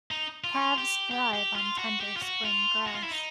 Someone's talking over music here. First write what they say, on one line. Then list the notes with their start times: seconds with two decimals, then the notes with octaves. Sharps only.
Calves thrive on tender spring grass.
0.11 D#4
0.44 F4
0.78 G4
1.11 G4
1.33 G4
1.55 F4
1.78 F#4
2.01 G4
2.16 F4
2.22 F#4
2.45 F4
2.87 F#4
2.95 F4
3.03 E4
3.11 D#4